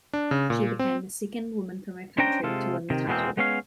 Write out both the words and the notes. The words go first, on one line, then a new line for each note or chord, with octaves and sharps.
She became the second woman from her country to win the title.
D4
C#3
A#2
C4
C#4 D4 C5 C#5 G5 A#5
C3 G#3 F4 A4
C3 D#3
E2 B2 G#3 A#3 C4
G#3 B3 C#4 C#5 F5